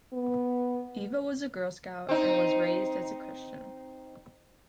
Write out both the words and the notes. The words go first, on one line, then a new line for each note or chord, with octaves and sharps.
Iva was a Girl Scout, and was raised as a Christian.
B3
C4 D#4